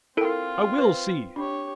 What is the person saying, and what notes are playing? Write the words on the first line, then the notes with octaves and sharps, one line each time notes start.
I will see!
C4 E4 F4 A4 A#4 G5 D7
B4 C5
D4 G4 C#5